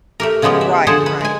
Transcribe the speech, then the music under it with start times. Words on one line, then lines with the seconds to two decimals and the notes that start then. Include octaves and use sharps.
Right, right.
0.20 A3 G4 A#4
0.42 C#3 F3 G#3 B3 G4
0.61 E5
0.87 D3 F3 G#4 C5 F#5 A5
1.06 B4
1.21 G#3 G#5